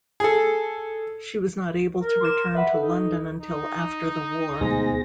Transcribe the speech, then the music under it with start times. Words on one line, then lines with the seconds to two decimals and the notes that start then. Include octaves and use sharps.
She was not able to return to London until after the war.
0.20 G#4 A4
2.01 A#4
2.21 C6 D6 E7
2.55 B4 E5 F#5
2.74 D#4 A4
3.41 D#4
4.61 D2 G#2 B2 G#4 A#6